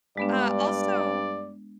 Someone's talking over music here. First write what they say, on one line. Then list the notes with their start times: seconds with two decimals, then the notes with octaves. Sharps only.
Uh, also
0.17 G2 G#3 B3 D4 D5